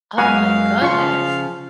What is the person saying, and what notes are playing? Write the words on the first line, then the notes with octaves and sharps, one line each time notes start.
Oh my goodness.
F#2 G#3 F#4 B4 F5 G#5
C#3 F3 F4 C#6